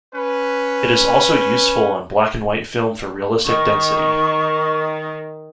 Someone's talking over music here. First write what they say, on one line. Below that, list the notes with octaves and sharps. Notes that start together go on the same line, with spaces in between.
It is also useful on black and white film for realistic density.
C#4 B4
D#3 C#6